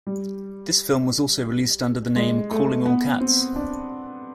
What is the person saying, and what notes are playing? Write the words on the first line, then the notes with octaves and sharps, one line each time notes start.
This film was also released under the name 'Calling All Cats'.
G3
G#3
A3
B3
C4
D4